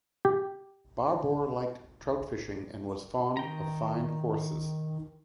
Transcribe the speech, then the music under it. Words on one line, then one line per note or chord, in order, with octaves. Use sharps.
Barbour liked trout fishing and was fond of fine horses.
G4
D#3 G5 A#5